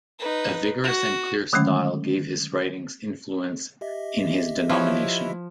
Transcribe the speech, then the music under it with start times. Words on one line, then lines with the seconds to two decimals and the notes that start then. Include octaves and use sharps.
A vigorous and clear style gave his writings influence in his denomination.
0.19 D#4 B4
0.84 F#4
1.53 D3 D#3 F#3 G#3 A3 C#4
3.81 G4 D#5 E5
4.70 F3 E4 B4 C#5